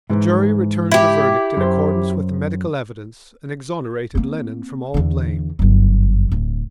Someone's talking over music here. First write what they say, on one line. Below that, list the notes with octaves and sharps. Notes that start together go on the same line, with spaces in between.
The jury returned a verdict in accordance with the medical evidence and exonerated Lennon from all blame.
G#2 E3
E4 G4
F#2 C5
A#3 C4
E2 D3
G1 F#2
D1